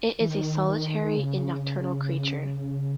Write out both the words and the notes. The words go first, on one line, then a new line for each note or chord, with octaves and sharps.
It is a solitary and nocturnal creature.
E3
D#3
C#3